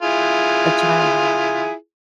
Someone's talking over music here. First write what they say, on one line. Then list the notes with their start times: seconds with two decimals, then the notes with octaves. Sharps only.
a child involved.
0.02 E4 F4 G#4